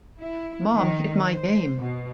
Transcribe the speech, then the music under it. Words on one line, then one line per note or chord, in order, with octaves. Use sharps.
Mom Hid My Game!
E4
D#3
C5
B2